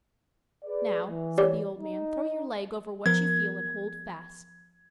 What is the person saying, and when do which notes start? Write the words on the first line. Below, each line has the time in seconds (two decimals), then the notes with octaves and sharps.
"Now," said the old man, "throw your leg over what you feel and hold fast."
0.64 G#4 B4 D5
1.08 E3
1.38 G4 C#5 D5
1.79 D#4
3.06 F3 B3 A#4 G#6